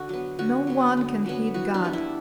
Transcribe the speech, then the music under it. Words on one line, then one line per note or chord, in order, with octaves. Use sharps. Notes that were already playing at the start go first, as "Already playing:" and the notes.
No one can hate God.
Already playing: D3 F#4
F#3 B3
D3 F#4
F#3 B3
D3
F#3 B3
E3 F#4
D4
G3 B3
E4